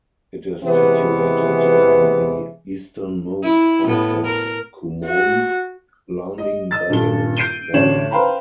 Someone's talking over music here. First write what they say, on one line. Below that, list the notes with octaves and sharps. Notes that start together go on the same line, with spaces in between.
It is situated in the easternmost part of Kumaun, lining Byans Valley.
C3 E3 G#3 B3
E4
A2 B3
A#4
F#4
D#5
D#5 E6 A6
D#1 G2 A4 G7
G6 C7 D7 D#7 G7
A1 D2 D4 C#5 E7 F#7
B4 C5 F5 G5 A#5 B5